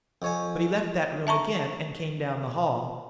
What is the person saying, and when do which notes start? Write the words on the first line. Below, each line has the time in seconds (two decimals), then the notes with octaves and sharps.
"But he left that room again and came down the hall."
0.22 F2 C#5 G#5
1.27 E5 A5 A#5 C#6